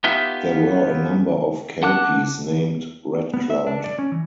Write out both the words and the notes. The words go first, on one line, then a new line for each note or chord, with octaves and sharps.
There were a number of Kelpies named Red Cloud.
B3 D#4 F4 G4 E5
F#5 A5 D6 F#6
B3
E5
D4
D5
C#4
E3